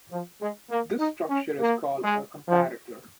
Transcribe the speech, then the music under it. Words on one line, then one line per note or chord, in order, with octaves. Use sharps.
This structure is called a "comparator".
F3
G#3
A#3
D#4
C#4
A#3
G#3
F3